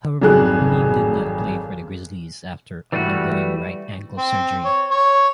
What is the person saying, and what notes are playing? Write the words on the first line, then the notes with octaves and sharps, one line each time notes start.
However, Mihm did not play for the Grizzlies after undergoing right ankle surgery.
G#1 F2 F#3 G#4 A4 F#6
E3 G3 A3 E4 F#4
C4
C#5
C#5